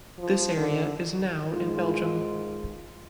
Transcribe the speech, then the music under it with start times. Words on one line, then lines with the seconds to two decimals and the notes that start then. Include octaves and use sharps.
This area is now in Belgium.
0.19 F3
0.57 D3
1.52 G#2 D#3 G#3 F4